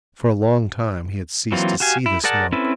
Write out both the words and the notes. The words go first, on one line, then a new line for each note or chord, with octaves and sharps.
For a long time he had ceased to see the smoke.
E3 F#3 A#3 C4 F4
F#4 G4 F5 G#5
E4
G#4 A#4 D5 F#5 A5
C4 C#4 E4 A4 B4